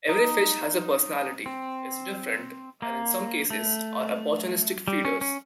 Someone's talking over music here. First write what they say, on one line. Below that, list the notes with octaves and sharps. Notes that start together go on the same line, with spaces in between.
Every fish has a personality, is different, and, in some cases, are opportunistic feeders.
D#4
C4
A#3
A3
G3
C#4
C#4